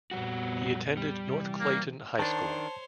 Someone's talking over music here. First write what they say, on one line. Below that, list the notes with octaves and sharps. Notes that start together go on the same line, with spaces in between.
He attended North Clayton High School.
F2 A#2 G3 B3 F#4
G3
C3 E3
A#3
D#3 D4 C5 C#5 A5